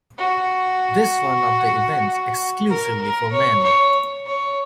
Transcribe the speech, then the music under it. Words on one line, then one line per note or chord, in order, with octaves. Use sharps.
This is one of the events exclusively for men.
F#4
A#4
A#4
C#5
C#5
C#5